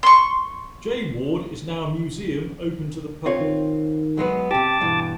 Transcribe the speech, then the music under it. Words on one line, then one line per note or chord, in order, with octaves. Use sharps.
J Ward is now a museum open to the public.
C6 C#6
C4 F4 C#5
D#3
F#3 G#3 B3
C3 G4 A5 D6
G2 B2 E3